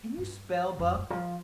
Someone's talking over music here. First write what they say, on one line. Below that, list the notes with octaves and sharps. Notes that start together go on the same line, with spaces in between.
"Can you spell, Buck?"
G2
F2
G2
F3